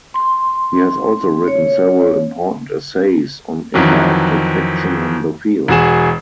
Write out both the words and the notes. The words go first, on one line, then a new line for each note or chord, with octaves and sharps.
He has also written several important essays on interactive fiction in the field.
C6
C#5
F2 D#3 E3 F#3
E1 F#4 G#4 E7